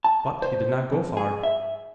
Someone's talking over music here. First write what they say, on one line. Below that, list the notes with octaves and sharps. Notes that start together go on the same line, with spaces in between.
But he did not go far.
A5
C5
F2
G#4
E5